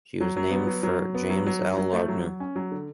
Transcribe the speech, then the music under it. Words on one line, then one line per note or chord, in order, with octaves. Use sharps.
She was named for James L. Lardner.
F#3
F#3
B3
F#3
F#3
F#3
B3
F#3
F#3
F#3
F#3
A3
F#3
F#3
C#4
F#3
D3